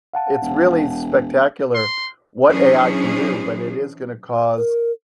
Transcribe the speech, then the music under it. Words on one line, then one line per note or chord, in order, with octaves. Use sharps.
It's really spectacular what AI can do, but it is gonna cause
F5 F#5 A5
E1
C6
E3 F#3 C#4 D4 G#4 C5
A#4